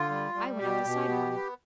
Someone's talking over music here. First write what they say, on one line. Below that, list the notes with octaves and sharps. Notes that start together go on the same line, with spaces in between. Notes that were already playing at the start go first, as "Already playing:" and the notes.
I went out the side one.
Already playing: D3 F4
G3
G3
B2 G4
B2
B3
B3